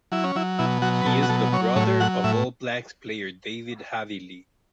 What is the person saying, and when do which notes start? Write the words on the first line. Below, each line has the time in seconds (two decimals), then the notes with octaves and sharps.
He is the brother of All Blacks player David Havili.
0.12 F#3 E4
0.24 C#4
0.36 F#3 E4
0.59 B2 E4
0.82 F#3 F#4
1.02 B4
1.06 B2 A4
1.23 F#4
1.29 F#3 A4
1.52 F#3 C#5
1.76 A2 C#5
2.00 F#3 F#5
2.24 A2 E5